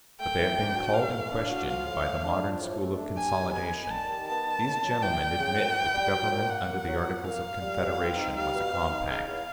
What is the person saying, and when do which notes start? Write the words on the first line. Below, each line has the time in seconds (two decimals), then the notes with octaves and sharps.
But they have been called in question by the modern school of consolidation. These gentlemen admit that the Government under the Articles of Confederation was a compact.
0.20 A3 G5
0.39 E3
0.58 D4
0.75 F#4
0.94 A3 F5
1.12 E3
1.31 D4
1.50 F#4
1.68 F3 F5
1.86 A2
2.05 A3
2.23 D4
2.42 F3
2.61 A2
2.79 A3
2.97 D4
3.16 G3 G#5
3.36 D#3
3.53 B3 G#5
3.72 D#3
3.90 G3 A5
4.10 D#3
4.28 B3 A5
4.46 D#3
4.65 C#3
4.83 F#2
5.01 E3 G5
5.20 G3
5.39 C#3
5.57 F#2
5.75 E3
5.94 G3
6.13 F#3
6.31 A#2
6.50 A#3 F#5
6.69 A#2
6.87 F#3
7.06 A#2
7.24 A#3 F5
7.42 A#2
7.60 G3
7.80 B2
7.98 C4
8.16 D#4
8.35 G3 F5
8.54 B2
8.72 C4
8.91 D#4
9.10 C#3 F5
9.27 E2